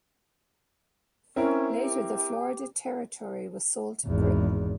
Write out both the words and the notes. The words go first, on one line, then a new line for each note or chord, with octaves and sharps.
Later, the Florida territory was sold to Britain.
C4 C#4 E4 A#4
G4
G#1 E2